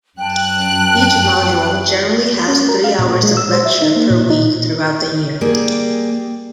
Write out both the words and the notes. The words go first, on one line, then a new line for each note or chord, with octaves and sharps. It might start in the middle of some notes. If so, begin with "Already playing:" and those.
Each module generally has three hours of lectures per week throughout the year.
F#2 G5 A5 F#6
C#4
A#4
F5
A#2
G#3
E6
C5
E5
D#4
A#3
A#2
D#4
G3 A#3 G#4